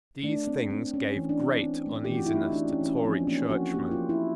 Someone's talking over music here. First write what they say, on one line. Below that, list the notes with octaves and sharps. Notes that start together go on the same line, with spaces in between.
These things gave great uneasiness to Tory churchmen.
A3 D4
C4
C4
C4 C#4
E3
D4
C4
C4
A3
G4
E3 F#4
F4
E4
A3 D#4
D4
E3
C#4
E3
C#4
F3 C4
D4
A#3 C#4
F3 F#4
A#3 G4
F4
F3
E4